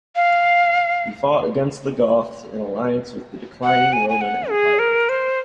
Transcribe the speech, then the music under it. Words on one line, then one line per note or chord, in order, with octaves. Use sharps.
He fought against the Goths in alliance with the declining Roman Empire.
F5
F#5
G#5
G#5
F#5
G#4
A#4
C5